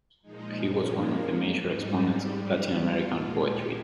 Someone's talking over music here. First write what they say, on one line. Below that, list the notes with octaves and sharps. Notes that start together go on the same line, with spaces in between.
He was one of the major exponents of Latin American poetry.
A#2 F3 G#3 D#4
C#4
A#3
G#2 G3 D#4
F4
A#2 G#3
G4